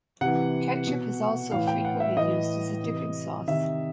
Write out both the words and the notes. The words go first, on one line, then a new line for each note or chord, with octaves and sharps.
Ketchup is also frequently used as a dipping sauce.
C3 E3 F#5
B2
A2 E3 F5
G5
F#5
E5
A2 E3 D#5
C3 E3
C3 D#3 E5